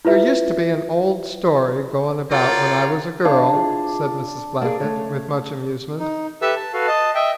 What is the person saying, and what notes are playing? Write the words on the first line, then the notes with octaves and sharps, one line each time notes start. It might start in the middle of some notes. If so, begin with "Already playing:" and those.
"There used to be an old story goin' about when I was a girl," said Mrs. Blackett, with much amusement.
E4 F4 B4 E5
F4 F#4 A4 A#4 C#5 D5 F5 G5
D4 E4 C#5 F5
F4 G#4 F5
A#3 G#4 D5
C#3 A3 C#5
D#4
G4 A4 B4 E5 A5 E6
A5
F#4 A4 B4 F5
D#5 A5
D#5 E5 G5